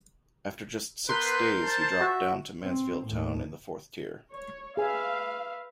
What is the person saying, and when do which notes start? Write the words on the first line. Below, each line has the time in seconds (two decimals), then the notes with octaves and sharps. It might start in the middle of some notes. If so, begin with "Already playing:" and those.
After just six days he dropped down to Mansfield Town in the fourth tier.
1.09 B3 A#4 B4 C6 G6
1.64 C5 A5
2.00 F#4 E5
2.62 C4
3.07 D#2 A2
4.33 C#5
4.77 G#4 B4 E5 F5 G#5